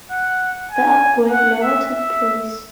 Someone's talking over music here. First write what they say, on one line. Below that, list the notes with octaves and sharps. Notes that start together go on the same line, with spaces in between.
The upgrade never took place.
F#5
G#5
F#5
E5
E5